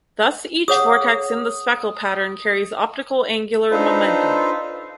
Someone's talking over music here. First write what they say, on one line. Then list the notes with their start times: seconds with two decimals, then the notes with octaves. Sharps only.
Thus each vortex in the speckle pattern carries optical angular momentum.
0.68 G#4 C#5 F#5 D#6
3.71 D4 D#4 F4 A4 B4 C5